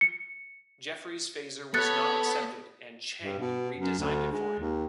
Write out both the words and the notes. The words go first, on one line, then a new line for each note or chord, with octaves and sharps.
Jefferies' phaser was not accepted, and Chang redesigned it for him.
C#7
B3 A4 C#5 B5 F#6 A6 C#7
G2
B2
F#2
D2
G#3
D#2